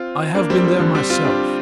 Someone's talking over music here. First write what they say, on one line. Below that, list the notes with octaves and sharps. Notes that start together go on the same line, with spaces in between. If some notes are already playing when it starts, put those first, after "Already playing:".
I have been there myself.
Already playing: C4 F4
A#3 D4
G3 C4
F3 A#3
D3 G3
G3 C4
C4 F4
D4 G4